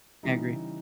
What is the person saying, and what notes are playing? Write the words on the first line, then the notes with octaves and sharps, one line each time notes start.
I agree.
C#3 E3 G3 D#4